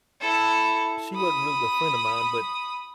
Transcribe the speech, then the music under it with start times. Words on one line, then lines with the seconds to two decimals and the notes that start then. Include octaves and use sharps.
She wasn't really a friend of mine, but
0.20 E4 A4
1.13 B5 D#6